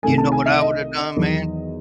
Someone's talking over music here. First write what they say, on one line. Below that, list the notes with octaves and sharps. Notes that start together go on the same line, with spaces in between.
You know what I would have done, man?
C2 C3 D#3 A3 G#5
A5
G#5
E5
D#5
E2 D#3 F#3